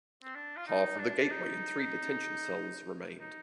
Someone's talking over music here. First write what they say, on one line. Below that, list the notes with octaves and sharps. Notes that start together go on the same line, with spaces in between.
Half of the gateway and three detention cells remained.
C4
D4
F4
D#4
D4
D4
D#4
D#4